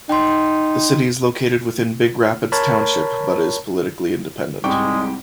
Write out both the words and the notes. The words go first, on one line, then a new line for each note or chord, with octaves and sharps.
The city is located within Big Rapids Township, but is politically independent.
D#4 G5 C6
A#4 C#5 A5 B5
C2 G#2 G3 G#3 G5 C#6 D6